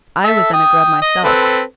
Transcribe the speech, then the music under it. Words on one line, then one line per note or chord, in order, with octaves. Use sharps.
I was then a Grub myself.
A4 E5
G5 D#6
D#5
C4 A4 B4